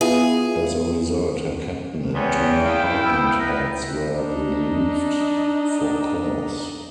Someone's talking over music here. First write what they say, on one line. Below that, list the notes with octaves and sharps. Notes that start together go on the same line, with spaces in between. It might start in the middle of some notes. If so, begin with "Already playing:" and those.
As a result, her captain and two department heads were relieved for cause.
B3 E4 F4 G#4
E2 B3 C#4 G5 G#5
E4 F5
B3 E6
A#4 B4
D4 D#4